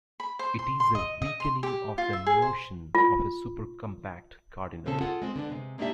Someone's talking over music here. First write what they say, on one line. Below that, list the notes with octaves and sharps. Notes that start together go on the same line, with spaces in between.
It is a weakening of the notion of a supercompact cardinal.
B5
C5
C6
C6
D#5
D#5
C6
G4
F4
E5
G#4
C5
F4
A#2 C#3 C4 C#4 A4
F4 G#4 A4 F#5
G#3 C4
D3 B3 D4
C3 G#3
G#3 A#3 D4 D#4 G4 E5